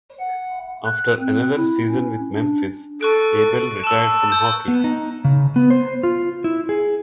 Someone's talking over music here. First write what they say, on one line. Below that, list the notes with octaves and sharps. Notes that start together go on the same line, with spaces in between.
After another season with Memphis, Abel retired from hockey.
F#5
F#6
C4
E4
C#4
D4
A4 C#6 F#6 D7
A5 E6 E7
E6 G6
B3
D#4
C#3
B3
C5
F4
E4
G#4